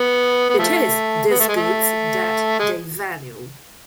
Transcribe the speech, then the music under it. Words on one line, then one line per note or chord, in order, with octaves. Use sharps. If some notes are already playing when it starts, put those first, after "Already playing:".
It is these goods that they value.
Already playing: B3
B3
F3 A3
B3
A3
G#3
A3
G#3